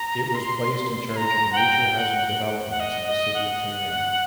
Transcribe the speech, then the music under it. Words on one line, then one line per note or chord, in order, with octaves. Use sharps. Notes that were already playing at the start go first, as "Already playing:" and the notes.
It was placed in charge of major housing developments in the city of Tehran.
Already playing: A#5
C6
A#5
F#5
G5
F#5
F#5
D#5
D#5
F#5